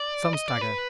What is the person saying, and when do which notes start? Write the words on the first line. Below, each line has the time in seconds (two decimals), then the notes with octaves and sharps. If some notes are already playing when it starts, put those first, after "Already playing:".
Some stagger.
Already playing: D5
0.34 D#5
0.48 D5
0.61 B4